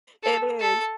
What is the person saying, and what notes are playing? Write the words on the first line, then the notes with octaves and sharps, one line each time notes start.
it is.
A4
A4